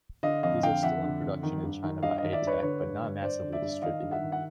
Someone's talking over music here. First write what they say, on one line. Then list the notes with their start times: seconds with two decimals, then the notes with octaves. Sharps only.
These are still in production in China by Eittek but not massively distributed.
0.23 D3 D#5 F5
0.43 F2 D#5 F5
0.63 D3 F5 G5
0.83 F2 E5 F#5
1.03 D3
1.23 F2
1.43 D#3
1.63 G2
1.83 D#3
2.03 G2 D#5 F5
2.18 D#3 D#5 F5
2.33 D5 E5
2.42 G2
2.47 B4 C#5
2.62 D3 B4 C#5
2.83 G2
3.02 D3
3.22 G2 C5 D5
3.43 D3
3.52 D5 E5
3.62 G2
3.82 D#3 D#5 F5
4.03 G2
4.11 E5 F#5
4.22 D#3
4.32 F#5